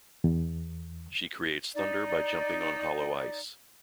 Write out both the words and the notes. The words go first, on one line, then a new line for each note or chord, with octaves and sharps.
She creates thunder by jumping on hollow ice.
E2
D#4 D5